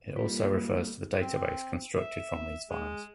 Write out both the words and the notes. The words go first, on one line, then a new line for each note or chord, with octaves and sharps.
It also refers to the database constructed from these files.
G3 A#3 F4
C4
E5
G#3